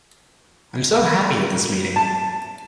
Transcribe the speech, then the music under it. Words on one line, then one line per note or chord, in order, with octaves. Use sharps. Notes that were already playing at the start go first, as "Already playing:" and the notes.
I'm so happy at this meeting!
A5